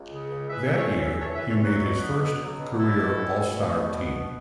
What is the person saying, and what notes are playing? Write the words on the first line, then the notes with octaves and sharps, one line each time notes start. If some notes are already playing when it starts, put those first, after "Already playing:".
That year he made his first career All-Star team.
Already playing: C#2
C#3
C#2
E3 B4 E5
E2 E5
A4 C#5
C#4
E2 B4 E5
A4 C#5
E3
B4 E5
E2 A4 C#5
F#3 F#4 B4
B2
B3
B2
F#3
B2
A3 E4 A4
B2
C#4
B2
A3
B2
B3
B2